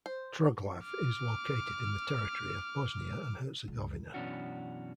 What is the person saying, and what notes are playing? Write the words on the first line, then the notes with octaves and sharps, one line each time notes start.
Troglav is located in the territory of Bosnia and Herzegovina.
C5
D6 F6
C#2
F#2 B2 E3 C#4 D4 F#4